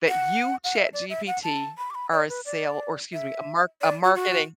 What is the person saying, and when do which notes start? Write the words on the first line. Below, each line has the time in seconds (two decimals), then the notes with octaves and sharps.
that 'you, ChatGPT, are a sale' or excuse me, 'a mark a marketing'"
0.08 F#5
0.64 F#5
0.76 E5
0.93 D5
1.10 E5
1.27 F#5
1.44 A5
1.78 B5
1.90 D6
1.95 B5
2.12 D5
2.29 B4
2.46 D5
3.13 E5
3.81 D5
4.04 F#4
4.15 F#4